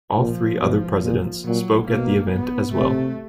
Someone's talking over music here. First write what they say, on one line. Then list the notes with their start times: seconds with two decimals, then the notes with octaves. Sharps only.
All three other presidents spoke at the event as well.
0.17 A#2 F3
0.60 B2
1.02 A#2
1.45 A#2 F#3
1.87 B2 A#3
2.30 B3
2.73 C3 A3